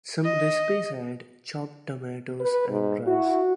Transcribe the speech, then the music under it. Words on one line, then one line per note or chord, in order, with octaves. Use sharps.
Some recipes add chopped tomatoes and rice.
D#5
B4
G#2
E4 F#4